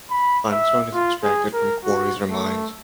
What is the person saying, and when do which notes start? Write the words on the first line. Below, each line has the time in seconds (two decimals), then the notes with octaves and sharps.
Limestone is extracted from quarries or mines.
0.10 B5
0.52 E5
0.94 F4
1.23 G#4
1.53 A#4
1.84 F#4
2.29 A3